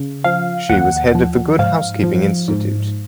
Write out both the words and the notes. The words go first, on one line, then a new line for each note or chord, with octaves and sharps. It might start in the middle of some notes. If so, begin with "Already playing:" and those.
She was head of the Good Housekeeping Institute.
Already playing: C#3
F3 F5
D#2 F#5
F3
G#2 F5
F3
G#2